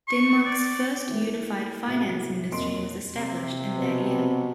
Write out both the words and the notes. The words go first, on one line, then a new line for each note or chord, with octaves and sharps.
Denmark's first unified Finance Ministry was established in that year.
C#6
D5
E3 A#3
A2 C3 F#4
E1 F2 A#3 D#5 C6 D7
C3
B2 C4